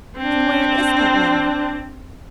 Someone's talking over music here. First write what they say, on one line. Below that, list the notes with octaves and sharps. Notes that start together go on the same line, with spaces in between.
"And where is that letter?"
C4 D4